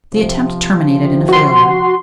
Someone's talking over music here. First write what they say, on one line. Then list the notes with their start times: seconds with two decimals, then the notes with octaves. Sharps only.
The attempt terminated in a failure.
0.14 C3 F3
1.29 F#4 C6